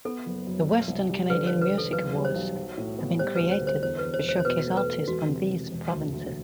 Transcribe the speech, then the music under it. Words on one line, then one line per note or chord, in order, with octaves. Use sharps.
The Western Canadian Music Awards have been created to showcase artists from these provinces.
B3 A4
F#1
F#2
B2
C2
G3
D3 B4
E1 C5
B4
E1
A4
B1 B4
G3
C5
B1
F#3
A2
B3
G3 C5
D2 B4
C5
D3
C5
E2 C5
E2 B4
C5
E1
C5
C5
B2 B4
A3
B4
A4
E1 F#4
C3
E1
E1
D2
D2